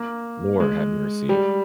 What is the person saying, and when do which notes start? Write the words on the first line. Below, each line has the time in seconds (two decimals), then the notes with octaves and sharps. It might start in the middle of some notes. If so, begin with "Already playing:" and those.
Lord, have mercy.
Already playing: A#3
0.60 G#3
1.29 G3